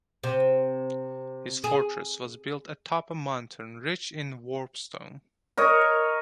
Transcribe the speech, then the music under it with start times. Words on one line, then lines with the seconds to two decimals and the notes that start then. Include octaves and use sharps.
His fortress was built atop a mountain rich in warpstone.
0.23 C3
1.64 G#4
5.57 A#4 C#5 D#5